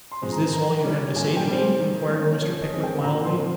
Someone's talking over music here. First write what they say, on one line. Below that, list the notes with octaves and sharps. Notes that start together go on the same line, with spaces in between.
'Is this all you have to say to me?' inquired Mr. Pickwick mildly.
C6
F3 G#3 C4
A#5
D#3 A#5
G3 C#4
A#2 G#5
G5
G3 C4
C5
D#3
A#3 C#4
F3 C#5
D#5
G#3 C4
G5
A#2 A#5
C6
F3 C4